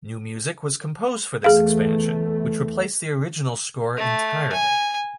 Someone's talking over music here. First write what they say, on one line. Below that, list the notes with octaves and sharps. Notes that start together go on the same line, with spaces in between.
New music was composed for this expansion, which replaced the original score entirely.
E2 A3 G#4 F5
A3
G#5